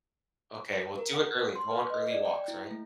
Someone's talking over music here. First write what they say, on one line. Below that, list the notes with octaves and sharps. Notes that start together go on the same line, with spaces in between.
Okay, well, do it early. Go on early walks, right?
A#4
F#5
C#5
C6
B4
D#5
D5
G5
E4
A3